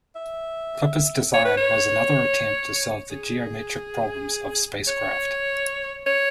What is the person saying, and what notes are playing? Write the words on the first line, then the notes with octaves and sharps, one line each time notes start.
Kliper's design was another attempt to solve the geometric problems of spacecraft.
E5
C#5
B4
C#5
G#4
C#5
C#5